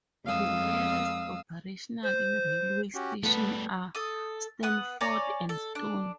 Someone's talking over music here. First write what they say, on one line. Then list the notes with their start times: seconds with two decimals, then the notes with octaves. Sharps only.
The nearest operational railway stations are Stafford and Stone.
0.25 F2 G#3 F5 D#6 E6
2.03 C5
2.95 C#4 F#4 G4
3.23 G3 A3 B3 A4 B4
3.95 A4 D#6
4.63 B3 F#5 D#6
5.01 C#5 D5 G#5 A#5
5.49 A4
5.75 D4